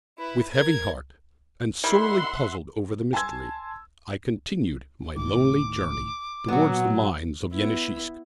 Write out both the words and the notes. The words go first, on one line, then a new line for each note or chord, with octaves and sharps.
With heavy heart, and sorely puzzled over the mystery, I continued my lonely journey towards the mines of Yeniseisk.
E4 B4
A#4 G#6
D#3 G3 E4 E5 F#5 C6
G#5 A5 C6 E6 G#6
D1 A2 D#3 D6
A#2 F#3 A#3 B3 F#4
B3 E4